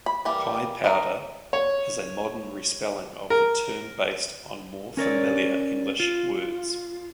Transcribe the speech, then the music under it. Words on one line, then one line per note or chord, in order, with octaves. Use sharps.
"Piepowder" is a modern respelling of the term based on more familiar English words.
B5
E3 G3 A#3 G4
D#3 A#4 E5 A#5
C#5
A#4
C#4 A#4 C#5 D5
F4